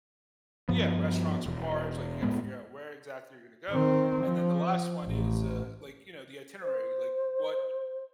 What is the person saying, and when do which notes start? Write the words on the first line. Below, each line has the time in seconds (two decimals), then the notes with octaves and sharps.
Yeah, restaurants or bars, like, you gotta figure out where exactly you're gonna go, and then the last one is, uh, like, you know, the itinerary, like, what
0.69 G2 F3 B3
1.46 E1
2.23 A2 G#3 B3
3.70 D#3 C4
4.25 F3
5.06 A1
6.63 C5